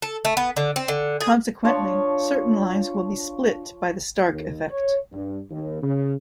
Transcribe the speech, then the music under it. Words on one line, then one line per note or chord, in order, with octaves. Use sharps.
Consequently, certain lines will be split by the Stark effect.
A4
A3
B3
D3
C4
D3
G#4
F3 D4 F4 C#5 A5
D#2
C#5
G2
D#2
C#3